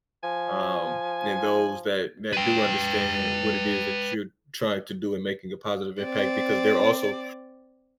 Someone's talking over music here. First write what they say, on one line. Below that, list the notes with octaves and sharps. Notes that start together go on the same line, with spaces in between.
Um, and those that that do understand what it is that you're trying to do in making a positive impact, because they're also
F3 G#5
B4 G5
C4 D5